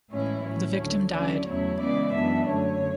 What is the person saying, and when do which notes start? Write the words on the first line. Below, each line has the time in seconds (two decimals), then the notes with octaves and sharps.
The victim died.
0.10 A2 E3 G#3 C#4 E4 C#5
0.44 A2 F#3 C#4 E4 C#5
0.77 D2 D3 F#3
1.11 D3 F#3 C#4 E4 D5
1.45 E2 C#3 F#3 A3 E4 C#5
1.78 C#3 E3 G#3 B3 E4 D5
2.12 F#2 E3 B3 D4 E5
2.47 F#2 D3 A3 C#5